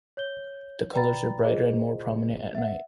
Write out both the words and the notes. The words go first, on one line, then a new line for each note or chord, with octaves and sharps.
The colors are brighter and more prominent at night.
C#5 G6 G7
B4 D5 G5 A#5 B5 A6
F4 G#4 C5 D#5
E5 F#5